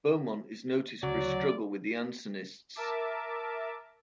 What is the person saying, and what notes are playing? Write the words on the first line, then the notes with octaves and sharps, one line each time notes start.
Beaumont is noted for his struggle with the Jansenists.
D2 C#3 F#3 D5
A#4 E5 A5 D6